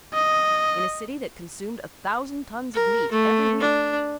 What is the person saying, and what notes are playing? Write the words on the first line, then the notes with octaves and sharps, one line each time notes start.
In a city that consumed a thousand tons of meat every week!
D#5
A#4
A3
D4